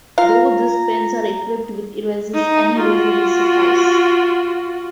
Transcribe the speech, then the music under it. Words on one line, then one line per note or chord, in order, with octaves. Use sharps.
Though these pens are equipped with erasers, any eraser will suffice.
F4 F5 A#5
D#4
F4 F#4